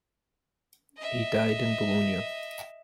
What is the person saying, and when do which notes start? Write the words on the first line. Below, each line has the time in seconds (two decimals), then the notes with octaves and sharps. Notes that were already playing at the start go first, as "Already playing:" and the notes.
He died in Bologna.
0.97 D#5 E5